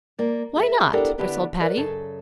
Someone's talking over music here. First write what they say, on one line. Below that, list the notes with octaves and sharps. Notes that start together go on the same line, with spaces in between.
"Why not?" bristled Patty.
A#3 D5
G#4 E5
B3 D4 E4 G4 A4 A#4
D3 B3 D4 E4 G4 B4
A#4 B4 D5 D#5
F#2 C#3 A4